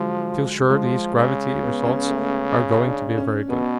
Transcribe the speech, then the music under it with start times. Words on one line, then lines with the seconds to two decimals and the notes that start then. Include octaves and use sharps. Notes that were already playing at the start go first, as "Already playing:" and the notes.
I feel sure these gravity results are going to be very good.
Already playing: D3 F3 F#3 G#3
0.69 F3 G#3
1.16 C#3
1.63 B3
1.85 C#4
2.09 A3
2.56 C#4
2.87 D4
3.18 C#4
3.49 B2 B3